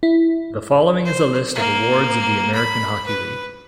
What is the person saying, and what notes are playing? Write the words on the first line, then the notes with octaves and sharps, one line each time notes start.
The following is a list of awards of the American Hockey League.
E4
C5
A#3
B5
B4